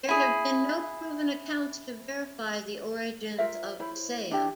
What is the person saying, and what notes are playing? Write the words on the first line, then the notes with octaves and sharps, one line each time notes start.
There have been no proven accounts to verify the origins of "Bisaya".
E4 G#4
F4 A#4 C5 E5
E4 C5 C#5 B5
D4 E4 G4